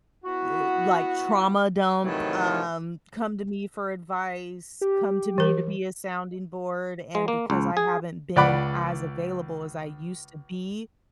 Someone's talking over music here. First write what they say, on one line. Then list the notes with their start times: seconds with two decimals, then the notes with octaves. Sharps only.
The, like, trauma dump, um, come to me for advice, come to me to be a sounding board, and because I haven't been as available as I used to be,
0.25 B3 E4 F#4
2.04 A2 C3 D#3 E3 F#3
4.81 G4
5.38 E3 A#4
7.15 G#3
7.28 A#3
7.50 C#2
7.77 G#4
8.36 C#2 D5 F#5 B5 D6